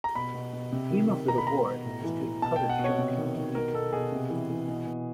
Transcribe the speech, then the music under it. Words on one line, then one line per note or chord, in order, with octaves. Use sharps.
The aim of the reward is to encourage young people to read.
A#5
B2 B5
B2
B2
C3
D#3
D#3
B2 A#5
B5
B2 A#5
B2
A2
E3
E3
B2 A5
G5
B2
F#5
B2
C#5
C3
D#3
D#3
B2 A#4
B2 A4
B2 G#4
C3
E3
E3
B2
B2